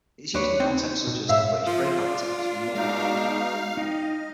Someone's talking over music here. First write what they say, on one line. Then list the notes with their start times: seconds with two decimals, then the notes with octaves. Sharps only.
It is used in contexts such as: "The British breakout attempt from Normandy".
0.34 D#2 D4 B4 C#5
0.60 C4 D#4
1.07 B2
1.29 G#2 C#5 E5 F5
1.66 F3 F4
2.00 D4
2.75 B2 G#3 D#4 F5
3.77 D#4 D#5 G5